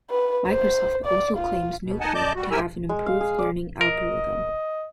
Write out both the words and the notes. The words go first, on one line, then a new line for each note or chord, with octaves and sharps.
Microsoft also claims New-Quick to have an improved learning algorithm.
B4
C5
D5
F4
B2
D#4 D#5 F#5 G#5 A5
F#2 D5 D#5 A5 D6 G6
G3 F#4
G#2 E4 G4 A#4 G#5 E6
G#3
F5
G#4
D5
A#4 D#5